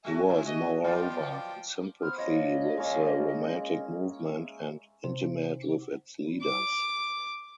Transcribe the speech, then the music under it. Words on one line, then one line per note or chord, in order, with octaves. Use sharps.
He was, moreover, in sympathy with the Romantic movement, and intimate with its leaders.
A3 F#4 E5 G#5
C3
F#4 D#5
F3 F#3 B3 F4 D5 G5
B3 B4 C5 F6
D4 F4 C#5 D#5
G#3 A#3 C#4
E5
C3
D6